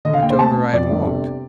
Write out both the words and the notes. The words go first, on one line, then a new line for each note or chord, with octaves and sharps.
I told her I had walked.
D3 D#5
F5
D#2 G5
C5
A3 A5
C4
F2 D5
G1
C3